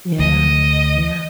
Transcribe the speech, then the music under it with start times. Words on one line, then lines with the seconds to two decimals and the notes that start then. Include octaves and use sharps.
Yeah. Yeah.
0.19 D2 D#5